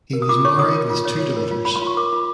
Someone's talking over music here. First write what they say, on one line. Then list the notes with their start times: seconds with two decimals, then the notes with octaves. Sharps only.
He was married with two daughters.
0.13 A#4
0.22 D#6
0.29 F4 D6
0.45 C#5 C#6
0.59 F4 D#6
0.75 A#4
0.90 F4
1.05 C#5
1.20 F4
1.36 A#4
1.51 F4
1.65 C#5 B5
1.76 C6
1.82 F4
1.87 C#6
1.97 A#4 D6
2.13 F4